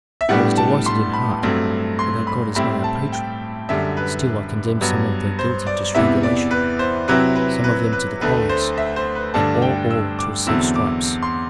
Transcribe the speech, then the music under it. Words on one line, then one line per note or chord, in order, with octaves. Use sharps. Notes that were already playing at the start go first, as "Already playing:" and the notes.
I was delighted in heart, for that god is not our patron; still I condemned some of the guilty to strangulation, some of them to the quarries, and all to receive stripes.
E5
A2 G3 B3 D4 F#5
A5
C6
B5
G2 F#3 A3 C4
C6
B5
A2 G3 C4 E4 B5
A5
G5
F#2 D3 G3 E5
B4
G2 F#3 B3
C5
D5
E2 C3 E3 B3 E4 E5
D5
B4
C5
C3 F#3 C4 E4 B4
B4
B4
B4
D2 D3 A3 B4
C5
E5
C5
B4
G2 D3 A3 D4 A5
G5
E6
D6
E2 D3 F#3 C4 E4 E6
D6
C6